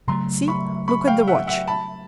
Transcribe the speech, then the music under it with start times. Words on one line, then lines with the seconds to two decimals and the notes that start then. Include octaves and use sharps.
See, look at the watch.
0.07 C#3 F#3 A3 A#5 C6
0.48 B5 C#6
0.88 B5 C#6
1.07 F5 G5
1.28 E5 F#5
1.47 E5 F#5
1.67 A5 B5